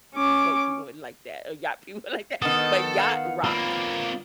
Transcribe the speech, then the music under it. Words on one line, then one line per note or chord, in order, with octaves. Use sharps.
Boat people wouldn't like that or yacht people wouldn't like that, but Yacht Rock.
C#4 D6
D#3 B3 A4 D#6
F5 F#5
A#3 C4 F4 D5 B5